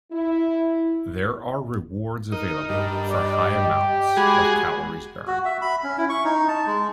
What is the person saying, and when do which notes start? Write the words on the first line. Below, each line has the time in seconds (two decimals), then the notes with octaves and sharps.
There are rewards available for high amounts of calories burned.
0.12 E4
2.32 D#4 A#4
2.69 G2 D#5
3.09 D5
3.47 G4
4.17 G#3 F#4 G#4 B5
5.27 F#4
5.45 E5
5.62 B5
5.84 C#4
5.98 E4
6.09 C#6
6.25 D#4
6.48 A5
6.66 G#3